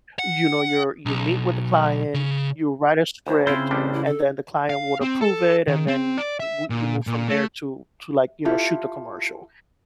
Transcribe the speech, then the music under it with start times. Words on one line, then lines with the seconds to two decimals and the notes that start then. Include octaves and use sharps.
you know, you're you meet with the client, you write a script and then the client would approve it, and then wou you move from there to to, like, you know, shoot the commercial.
0.19 F#5
1.06 B1
2.14 C#3
3.27 D2 C5
3.47 C#3 C4 E4 F4 C5
3.71 A1 G3 D4
3.93 E4
4.06 A4
4.70 F5
5.01 C4
5.21 A4
5.67 D#3
5.88 C4
6.18 D5
6.40 E5
6.70 A#2
7.07 A#2
7.28 A3
8.45 E4 F4 G4 A4